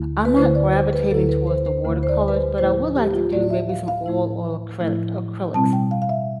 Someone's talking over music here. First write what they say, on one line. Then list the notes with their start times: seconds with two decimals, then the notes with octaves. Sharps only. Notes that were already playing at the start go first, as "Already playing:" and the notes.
I'm not gravitating towards the watercolors, but I would like to do maybe some oil or acrylic acrylics.
Already playing: D2 D3 A3 E4
0.25 B4
0.37 D2 D3 A3 E4 C5
0.55 D5
0.73 C5
0.93 B4
1.11 D2 D3 A3 E4 A4
1.29 B4
1.47 C5
1.66 C5
1.84 D2 D3 A3 E4
2.03 C5
2.09 D5
2.28 B4
2.34 C5
2.58 A2 F3 A3 E4 C5
2.96 G4
3.14 F4
3.32 A2 F3 A3 E4 D5
3.50 E5
3.69 F5
3.88 F5
4.06 A2 F3 A3 E4
4.80 A2 F3 A3 E4
5.54 B2 G3 C4 E4 A5
5.73 G5
5.91 F5
6.02 F5
6.09 E5